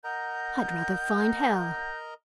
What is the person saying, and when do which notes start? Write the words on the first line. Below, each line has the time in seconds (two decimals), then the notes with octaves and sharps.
I'd rather find hell!
0.04 A#4 D#5 F#5 A#5 G6